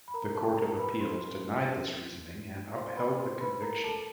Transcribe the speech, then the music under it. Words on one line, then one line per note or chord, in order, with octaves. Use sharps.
The Court of Appeals denied this reasoning and upheld the conviction.
B5
A#4 A#5
A4 A5
A#4 A#5
B4 B5
C5 C6
C5 C6
B4 B5
C5 C6
B4 B5
A#4 A#5
A4 A5